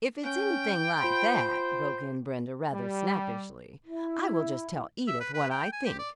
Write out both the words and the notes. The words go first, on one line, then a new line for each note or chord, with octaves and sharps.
"If it's anything like that," broke in Brenda, rather snappishly, "I will just tell Edith what I think."
C#4 G5
F4 C5 B5 C6
G3
E4
E5
B4
B4
G5
G#5
G4
D5